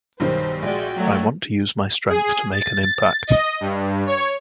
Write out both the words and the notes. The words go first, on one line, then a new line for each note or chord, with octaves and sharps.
I want to use my strength to make an impact.
B1 G2 D#3 C5
A#1 G#3 F#4 D5 G5
F#3 A3
G#4
A6
D#5
G2
C#5